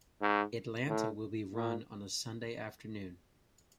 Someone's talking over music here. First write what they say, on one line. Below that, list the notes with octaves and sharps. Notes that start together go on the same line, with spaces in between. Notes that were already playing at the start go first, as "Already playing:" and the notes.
Atlanta will be run on a Sunday afternoon.
G#2
A2
A#2